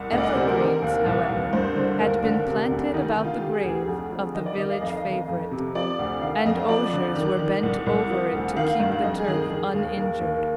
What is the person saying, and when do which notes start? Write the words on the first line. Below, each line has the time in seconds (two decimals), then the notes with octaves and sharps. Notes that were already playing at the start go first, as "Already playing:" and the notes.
Evergreens, however, had been planted about the grave of the village favorite, and osiers were bent over it to keep the turf uninjured.
Already playing: C2
0.12 D2 D#5
0.18 D5
0.24 D#5
0.35 C3 C5
0.47 A#4
0.59 D#3 A#4
0.82 D#2
1.06 C2
1.29 C2
1.53 G2 C5
1.76 D3
2.00 D#2 A#4
2.23 D3
2.47 C3
2.70 D2
2.94 D#3 D#4
3.09 D#4
3.17 D#3
3.24 F4
3.40 D#3 G4
3.53 G#4
3.64 D2 G4
3.87 F2 G#4
4.11 F3
4.34 D#3 D#5
4.46 D5
4.57 D#3 D#5
4.70 F5
4.81 F2 D#5
4.89 F5
4.96 D#5
5.05 D#3
5.28 F2
5.51 C3
5.75 F3 D5
5.99 D2
6.21 D#3 F5
6.45 F2 D#5
6.68 F3 D5
6.93 D3
7.16 D#3
7.39 D#3
7.63 C2
7.86 C2
8.10 F3
8.33 D2
8.56 D#3 F5
8.80 G2
9.03 F2 D#5
9.19 G#4
9.27 D#3
9.35 G#4
9.50 D#3
9.74 D#2
9.97 D#2 A#4
10.21 D#2